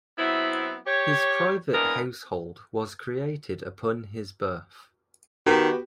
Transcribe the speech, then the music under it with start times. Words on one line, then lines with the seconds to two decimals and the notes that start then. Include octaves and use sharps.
His private household was created upon his birth.
0.19 F#3 B3 C4 E4
0.86 G4 C#5
1.73 E3 G#3 A#3 B3 D4 A#4
5.46 D#3 B3 F#4 G4